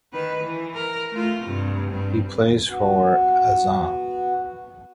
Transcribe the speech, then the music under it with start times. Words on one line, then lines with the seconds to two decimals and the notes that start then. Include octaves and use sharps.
He plays for Azam.
0.13 D#3 B4
0.43 E3
0.75 A#4
1.12 A3 F4
1.42 G2 C3
1.91 G2 C4
2.69 B3 F#4